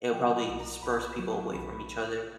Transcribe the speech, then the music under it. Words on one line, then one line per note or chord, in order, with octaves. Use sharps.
it'll probably disperse people away from each other,
F#3 G5
B5
B1
A#5
B1 B5
F#3 C#6
B1 B5